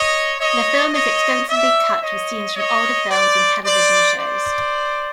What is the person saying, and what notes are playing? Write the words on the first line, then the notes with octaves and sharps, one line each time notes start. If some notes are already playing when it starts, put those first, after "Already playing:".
The film is extensively cut with scenes from older films and television shows.
Already playing: C#5 D#5
C#5 D#5
C#5 D#5
D5 E5
C#5 D#5
C#5 D#5
C5 D5
C5 D5
C5 D5